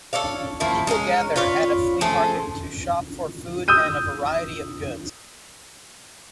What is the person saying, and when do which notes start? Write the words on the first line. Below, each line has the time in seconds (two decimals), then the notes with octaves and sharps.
People gather at a flea market to shop for food and a variety of goods.
0.13 A4 C#5 D5 F5
0.60 D#3 F3 A#3 E4
0.87 G#3 C#4 E4 A#4
1.36 F4 B4 C#5 D5
2.01 F3 A3 G#4 A4
3.68 D#6 E6 G6 D#7